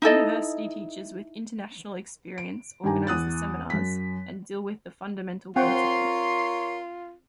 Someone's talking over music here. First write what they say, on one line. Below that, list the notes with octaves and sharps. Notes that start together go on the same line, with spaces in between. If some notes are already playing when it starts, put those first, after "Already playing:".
University teachers with international experience organize the seminars and deal with the fundamental principles.
D#4 E4 A4 D#5
D7
G2 D#3 G4 G#5 A#5
E2 D#6 F#6 A6
F#2 B6
C4 F4 A#4 C#5 F#5 G5 C6